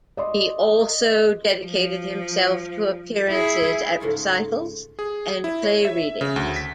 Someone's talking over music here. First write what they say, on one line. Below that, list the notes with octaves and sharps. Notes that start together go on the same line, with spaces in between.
He also dedicated himself to appearances at recitals and play readings.
D5 D#5 C6
F3
E4 G#4
G#2 C#3 A3 F4
G#4
E4
C#5
E5
C#3
D2
B6